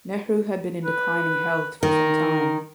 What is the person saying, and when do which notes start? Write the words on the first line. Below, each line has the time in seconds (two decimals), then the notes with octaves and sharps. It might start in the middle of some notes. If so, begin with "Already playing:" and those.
Nehru had been in declining health for some time.
0.85 B4
1.83 D#3 A#4